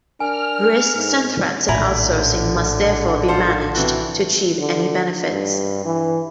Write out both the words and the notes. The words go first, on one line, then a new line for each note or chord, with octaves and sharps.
Risks and threats of outsourcing must therefore be managed, to achieve any benefits.
D4 A#4 G#5 F6
G#2
A#1 A2 D3 D#3 E4 G#5 A#5 B5
F4 A4 C5
C3 E3 F#4
D3
G2
E3